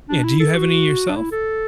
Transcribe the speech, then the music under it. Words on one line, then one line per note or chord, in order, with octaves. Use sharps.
Yeah, do you have any yourself?
D4
E4
A4
F#4
D4
E4
A4